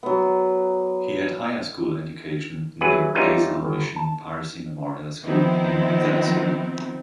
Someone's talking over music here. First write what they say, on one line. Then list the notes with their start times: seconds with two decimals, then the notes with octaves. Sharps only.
He had higher school education in the Basel Mission Parsi Memorial School in Thalassery.
0.03 F#3 B3
2.81 E3 F#3 G#4 B4 F#5
3.15 E3 G3 B3 D#4 F4 C#5
3.63 G1
3.96 A5
5.23 D#3 F3 B3 C4 E4